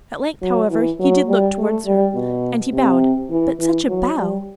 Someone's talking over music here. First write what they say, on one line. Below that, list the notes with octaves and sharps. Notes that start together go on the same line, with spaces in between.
At length, however, he did look towards her, and he bowed--but such a bow!
F#3
E3
F#3
G3
A3
G3
B2
C3
E3
E3
F#3
G3